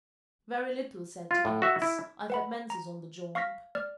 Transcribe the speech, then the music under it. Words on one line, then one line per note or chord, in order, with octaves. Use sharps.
"Very little," said T. X. "I've had Mansus on the job."
F4
A2
F#4 E5
E4
B4 F#5 B5
A#5
F5 C#6 F6 A#6 B6
D5 F6